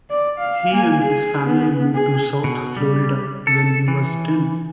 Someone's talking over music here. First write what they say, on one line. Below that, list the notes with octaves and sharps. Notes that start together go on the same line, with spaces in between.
He and his family moved to South Florida when he was ten.
D5
F5
A#3 G#5
G#4
B3
G#4
B2
G3
A4
E3